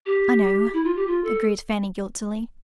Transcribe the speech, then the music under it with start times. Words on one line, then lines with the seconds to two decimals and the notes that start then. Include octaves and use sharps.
"I know," agreed Fanny guiltily.
0.06 G4
0.73 E4
0.84 F4
0.96 G4
1.07 F4
1.24 A4